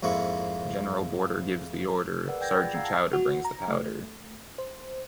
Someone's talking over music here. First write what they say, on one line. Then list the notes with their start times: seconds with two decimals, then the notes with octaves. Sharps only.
General Border gives the order, Sergeant Chowder brings the powder.
0.03 F2 G#2 A#3 E4 C#6
2.26 G#4 A#4 B4 D5 F#5 E6
2.41 D5 G5 G6 G#6 A#6
2.56 F4 G#4 G5 B5 A6 A#6
2.73 F5 F#5 A#5 E6 G#6 C7
2.84 A5 A#6
3.13 F#4
3.45 A#5
3.68 A3
4.58 C5